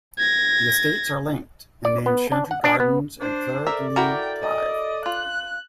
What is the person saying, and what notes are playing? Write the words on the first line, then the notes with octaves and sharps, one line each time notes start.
The estates are linked, and named Chantry Gardens and Fleur De Lys Drive.
G#6 A#6
D5
B3
D4
F#5
D4
B3
D4 C5
A4 A#4 D5 E5
E4 F#4 A#4 G5
D#5
F4 F#6